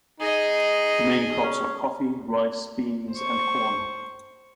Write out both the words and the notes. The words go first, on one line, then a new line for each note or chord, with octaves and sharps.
The main crops are coffee, rice, beans, and corn.
D#4 G#4 D#5
C#4
C5 C#6